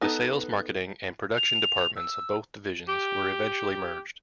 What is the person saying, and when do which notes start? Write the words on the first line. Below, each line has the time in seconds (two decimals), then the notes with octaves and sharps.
The sales, marketing, and production departments of both divisions were eventually merged.
0.01 B3 D#4 A4
1.38 F7
1.96 E6
2.88 G4